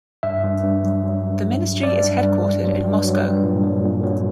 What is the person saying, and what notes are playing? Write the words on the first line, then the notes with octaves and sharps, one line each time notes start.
The Ministry is headquartered in Moscow.
G2 E5
G2
G2
F#3
F#3
G2
F#3
G2
G2 D5
G2
G2
G2
F#3
G2
F#3
G2
A#2
F#3
A#2
F#3